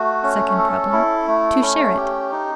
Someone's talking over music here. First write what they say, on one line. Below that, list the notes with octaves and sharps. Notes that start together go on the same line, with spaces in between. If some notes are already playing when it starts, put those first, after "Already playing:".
Second problem: To share it.
Already playing: A3 F#4
C#4
A4
E4
A3
C#4
G4
D#4